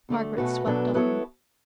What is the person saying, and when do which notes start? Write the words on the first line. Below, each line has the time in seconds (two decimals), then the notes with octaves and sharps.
Margaret swept on.
0.09 D2 D3 A3
0.37 B2 A3 C#4 F#4 B4
0.66 B2 F#3 B3 D4 A4
0.94 F#3 B3 E4 A4 C#5